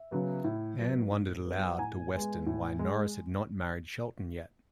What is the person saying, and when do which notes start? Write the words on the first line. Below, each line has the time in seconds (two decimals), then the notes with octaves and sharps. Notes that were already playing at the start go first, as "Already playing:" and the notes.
Anne wondered aloud to Weston why Norris had not married Shelton yet.
Already playing: E5
0.11 C#3 F#3 B3
0.44 A2
0.79 F#3 B3
1.11 A2
1.45 F#3 B3
1.70 F#5
1.79 A2 G#5
2.13 G#3 B3
2.46 A2
2.79 G#3